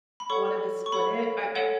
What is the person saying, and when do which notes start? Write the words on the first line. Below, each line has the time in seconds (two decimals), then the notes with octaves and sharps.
wanted to split it. I I
0.20 B5
0.30 A4 C#5 F#5 C#6
0.86 C#6
0.92 A4 C#5 F#5 B5
1.55 A4 C#5 F#5